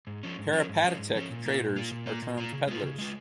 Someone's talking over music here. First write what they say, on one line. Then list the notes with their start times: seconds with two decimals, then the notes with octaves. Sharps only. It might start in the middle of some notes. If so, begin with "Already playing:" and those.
Peripatetic traders are termed pedlars.
0.07 G#2
0.23 F3 C#4
0.39 G#2
0.53 F3 C#4
0.69 G#2
0.84 F3 C#4
0.99 G#2
1.15 F3 C#4
1.30 A#2
1.46 A#3 F4
1.60 A#2
1.76 A#3 F4
1.91 A#2
2.06 A#3 F4
2.22 A#2
2.37 A#3 F4
2.53 C#3
2.67 G#3 F4
2.83 C#3
2.99 G#3 F4